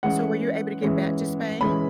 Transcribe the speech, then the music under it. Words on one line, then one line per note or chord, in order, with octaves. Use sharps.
So were you able to get back to Spain?
E3 G#3 C#4 F#5
E3 G#3 C#4
E3 G#3 C#4 B5